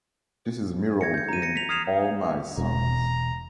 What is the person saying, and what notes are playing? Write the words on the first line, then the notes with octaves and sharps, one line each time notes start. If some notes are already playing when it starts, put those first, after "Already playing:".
This is mirrored in "All My Sons".
G#6 A#6 C#7
G6 C#7
A#5 D#7
A#6 C#7
B6 F7
D#6 F6 G#6 C7 E7 F7
E1 A#5